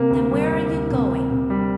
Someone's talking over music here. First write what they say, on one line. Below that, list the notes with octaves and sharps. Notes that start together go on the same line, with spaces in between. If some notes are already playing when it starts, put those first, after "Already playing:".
"Then where are you going?"
Already playing: C3 A#3
D2
G3
D2
D2
C3
C3
C3
G3